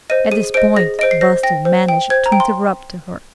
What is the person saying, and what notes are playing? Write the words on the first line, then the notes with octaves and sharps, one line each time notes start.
At this point Buster managed to interrupt her.
C5 D#5 D#7
G#4 D#7
C5 D#5 D7
G#4 A#6
C5 D#5 D7
C7
C5 A#6
G5 A#6
C5
G5
C5 G#6
A#5
G5
C6